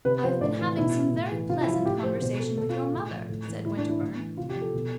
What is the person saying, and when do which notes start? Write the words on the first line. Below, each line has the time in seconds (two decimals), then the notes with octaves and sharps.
"I have been having some very pleasant conversation with your mother," said Winterbourne.
0.05 C3 B4
0.23 F3 C5
0.41 A2 D5
0.59 E3
0.77 B2 E4
1.13 A2
1.31 E3
1.50 C3 F4
1.61 E4
1.67 F3
1.73 F4
1.85 A2 G4
2.03 F3 C5
2.21 B2 C5
2.40 A4
2.58 B2 A4
2.70 F4
2.93 A2
3.11 F3
3.29 A2
3.48 E3
3.65 A2 E4
3.77 D4
3.83 E3
3.89 E4
4.01 A2
4.19 E3
4.37 C3 F4
4.50 G4
4.55 F3
4.62 A4
4.74 B2